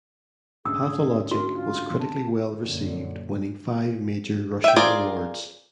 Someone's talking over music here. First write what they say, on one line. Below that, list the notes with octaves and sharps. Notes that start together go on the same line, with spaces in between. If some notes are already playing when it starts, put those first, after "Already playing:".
"Pathologic" was critically well received, winning five major Russian awards.
D2 G#2 C#4 G#4 D#6 E6
F#4 A#4
F4
A5
F#2 A#2 D3
E5 G5
F4 G#4 A#4 C5 D5